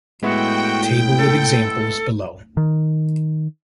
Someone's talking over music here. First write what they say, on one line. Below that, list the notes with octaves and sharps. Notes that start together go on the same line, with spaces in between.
Table with examples below.
A2 G#3 B3 E4 F#4 G5
A4
D#3